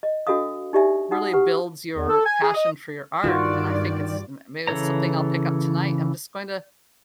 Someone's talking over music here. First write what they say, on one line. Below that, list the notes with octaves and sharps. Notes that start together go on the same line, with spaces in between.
really builds your, passion for your art, and I think it's m maybe that's something I'll pick up tonight. I'm just going to,
D#5
D4 F#4 A4 D#5 F5 D#6
D#4 G4 D5 E5 G#5
D#4 F#4 F#5 D#6
G4 B4 F#5
E2
A4
G#5
G#4
D#5
G2 D#3 F4 F#4 D5
C#3 E3 A4 C#5 A#5